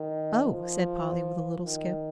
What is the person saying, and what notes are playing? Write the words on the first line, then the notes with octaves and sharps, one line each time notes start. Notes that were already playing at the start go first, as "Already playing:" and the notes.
"Oh!" said Polly, with a little skip.
Already playing: D#3
F3
D#3